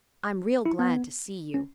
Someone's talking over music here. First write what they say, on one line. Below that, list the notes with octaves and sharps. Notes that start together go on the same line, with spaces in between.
I'm real glad to see you.
E4
B3
C#4